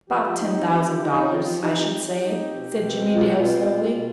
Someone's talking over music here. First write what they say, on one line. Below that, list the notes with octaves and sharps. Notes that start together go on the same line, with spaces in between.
"About ten thousand dollars, I should say," said Jimmie Dale slowly.
F3 G4
F3
D#4
C4
F3 G4
F3
D#4
C4
F3 F4
F3
D#4 G4
C4
F3
F3
D#4
C4
B2
B2
C4
G#3
B2 F4
B2 G4
F4
C4
G#3
B2
B2